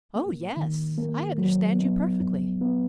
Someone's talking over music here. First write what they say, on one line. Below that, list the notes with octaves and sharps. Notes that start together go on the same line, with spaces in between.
"Oh! yes--I understand you perfectly."
A#3
D#3
A#3
F#3
B3
F2
B3